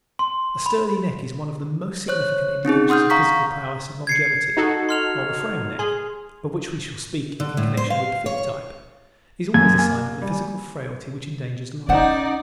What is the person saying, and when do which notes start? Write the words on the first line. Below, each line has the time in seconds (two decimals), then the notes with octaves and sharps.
A sturdy neck is one of the most significant indications of physical prowess and longevity, while the frail neck--of which we shall speak in connection with the fifth type--is always a sign of the physical frailty which endangers life.
0.19 C6
0.66 B5
2.08 C5 C#5 F#6
2.65 C4 C#4 D#4 G#4
2.89 F#5 C6 D#6 F6 G6
3.10 F5 A#5 C#6 B6
4.07 G#6 C7 C#7
4.57 D#4 F#4 A4
4.89 C6 F6 F7
5.79 G#4 C6
7.40 D3
7.57 A2
7.77 C5
7.90 F5
8.26 C#5
9.54 F#2 G#6
9.79 A#3 G#5
10.22 G3
11.89 C#4 D#4 C5 D5 F#5